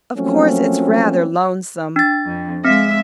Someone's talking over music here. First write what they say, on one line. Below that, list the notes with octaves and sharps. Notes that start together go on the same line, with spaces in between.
Of course, it's rather lonesome.
F3 F#3 A3 A#3 C4 C#4
D4 A6
F2
G#3 C4 E5